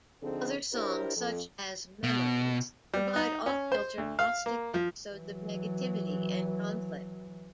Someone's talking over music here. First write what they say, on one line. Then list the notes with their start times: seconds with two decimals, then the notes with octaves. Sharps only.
Other songs, such as "Memories", provide off-kilter, caustic episodes of negativity and conflict.
0.23 D3 F3 C4 D#4 G#4 A4
0.73 D4 E4 G4 A#4 C5 C#5
1.17 F2
2.03 B2
2.94 G3
3.16 D#4
3.46 C#4
3.72 C5
3.98 D2
4.19 F5
4.46 A#3
4.74 F3
5.12 E3 F#3